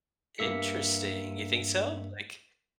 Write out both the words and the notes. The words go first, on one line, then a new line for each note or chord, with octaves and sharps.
Interesting, you think so? Like,
G2 A#3 E5 B6 C#7